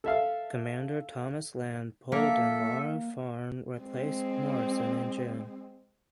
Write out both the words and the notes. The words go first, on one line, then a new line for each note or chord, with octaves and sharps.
Commander Thomas Lamb Polden Laugharne replaced Morrison in June.
A4 E5 F5
A#3 A4 E5
G#3 C4